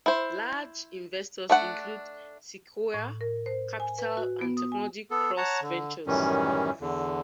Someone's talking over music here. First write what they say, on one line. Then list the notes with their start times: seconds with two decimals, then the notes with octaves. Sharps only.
Large investors include Sequoia Capital and Technology Cross Ventures.
0.06 E4 C5
1.50 A3 D4 F#5
2.94 A2
3.21 A#4
3.46 C5
3.80 G#5
3.98 B4
4.17 F#4
4.41 B3
4.57 D#6
4.72 G#5
5.11 B3 A4
5.37 C#5 F#5 A5 A#5
5.62 D3
6.07 F#2 A2 D#3 E3 G3 C#4
6.81 E2 D3